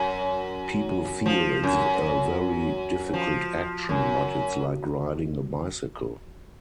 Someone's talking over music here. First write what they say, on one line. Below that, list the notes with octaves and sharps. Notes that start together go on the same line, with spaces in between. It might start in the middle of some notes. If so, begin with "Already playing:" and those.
People feel it's a very difficult action but its like riding a bicycle.
Already playing: F#2
F3
F#2
F3
F#2